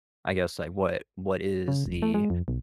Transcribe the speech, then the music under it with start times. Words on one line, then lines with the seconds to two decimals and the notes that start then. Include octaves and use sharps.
I guess, like, what what is the
1.68 C#3
1.86 E1
2.02 A3
2.14 G#3
2.30 F2
2.48 B1